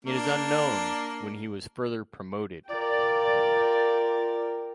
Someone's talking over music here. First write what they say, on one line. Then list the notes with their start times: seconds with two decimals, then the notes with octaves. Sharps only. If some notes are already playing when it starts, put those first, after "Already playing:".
It is unknown when he was further promoted.
0.05 A#3 D4
2.70 F4 A#4 D5 G5